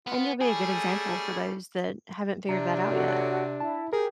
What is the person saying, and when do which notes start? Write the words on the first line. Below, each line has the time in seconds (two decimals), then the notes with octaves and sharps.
And you'll be a good example for those that haven't figured that out yet.
0.07 B3 F4
0.41 G3 A3 C#4 G#4
2.49 C3 D4 A#5
2.89 F#4 A4 C#5
3.60 E4 A5
3.93 G4 G#4 A#4